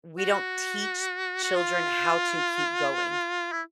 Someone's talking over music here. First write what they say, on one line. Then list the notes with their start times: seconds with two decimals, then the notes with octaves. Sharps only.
we don't teach children how to keep going.
0.18 F#4
1.43 F#4
1.55 F4
3.52 E4